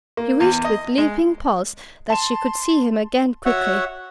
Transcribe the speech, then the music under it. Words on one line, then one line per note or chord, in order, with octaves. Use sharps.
She wished with leaping pulse that she could see him again quickly.
A#3
E2
D#5
G#3
A5 C6 E7
F#4 C#5 E5 F#5